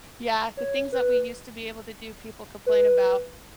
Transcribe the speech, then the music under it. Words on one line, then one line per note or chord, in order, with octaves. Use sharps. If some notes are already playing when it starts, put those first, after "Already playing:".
Yeah, the things that we used to be able to do people complain about.
C#5
B4
B4